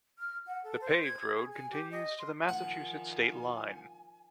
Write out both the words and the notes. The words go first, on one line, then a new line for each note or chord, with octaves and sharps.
The paved road continues to the Massachusetts state line.
F6
F#5
A4
C5
G#6
G#4
G#5
G4
D#5
C6
D#3 F3 F#5 G#5